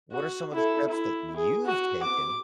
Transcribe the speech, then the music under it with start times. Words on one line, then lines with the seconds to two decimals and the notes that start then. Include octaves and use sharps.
What are some of the steps that you've taken?
0.12 F#4
0.53 E4 A4
0.89 E4
1.36 G#4
1.65 F#4
2.03 D6